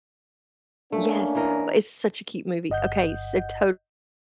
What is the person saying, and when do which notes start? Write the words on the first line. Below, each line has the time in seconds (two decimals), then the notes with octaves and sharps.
Yes. But it's such a cute movie. Okay, so totally.
0.92 A3 A#3 C#4 D4
1.35 E3 A#4 D#5
2.70 G1 D#5 F#5 G6